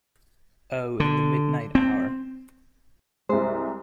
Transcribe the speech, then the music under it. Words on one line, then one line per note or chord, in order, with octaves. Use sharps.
Oh, in the midnight hour.
D3
C4
C2 G#3 C5